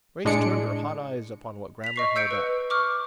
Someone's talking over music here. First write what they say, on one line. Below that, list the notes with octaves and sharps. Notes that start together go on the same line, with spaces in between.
Grace turned her hot eyes upon what Grammer held up.
A2 G#3 D4 C#7 D7
B6 F7
D#5 C#6 C7
E6 G6 C#7 D7
B4
C#6 D6 F6